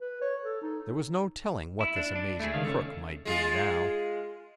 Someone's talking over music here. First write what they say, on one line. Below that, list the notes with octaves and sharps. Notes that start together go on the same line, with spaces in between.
There was no telling what this amazing crook might do now.
B4
C#5
A4
D#4
E4
D4
D4
A3 E4 G#4
C#2 D#3 F5
C#4 D#4 A4
G#3 F4 G#4